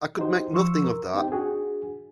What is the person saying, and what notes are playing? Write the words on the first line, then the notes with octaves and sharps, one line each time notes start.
I could make nothing of that.
D#4 F#4 G4 C5
F3 C6 C#6 E6
A#4
C4 D#4 G4 G5
D4 F#4 G#4